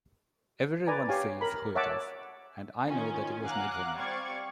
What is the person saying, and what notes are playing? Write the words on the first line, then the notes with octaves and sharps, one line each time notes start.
Everyone sees who it is, and I know that it was made for me.
B4 D5 G#5 A#5
G4 C#5 F5 G#5
A#4 B5
C#5 E5 F#5 A5 D6
D#3 C#4 F4 G#5
F5 F#5 G#5 A#5 D6 F#6
G3 C4 D5 F5 C#6 G#6